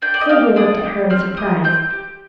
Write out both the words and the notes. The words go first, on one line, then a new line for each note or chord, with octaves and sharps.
Sylvia looked at her in surprise.
D4 G5
D5
D#5
G4 F5
D4 D#6
G4
C4 F6
G4 D#6
C4 G6
G4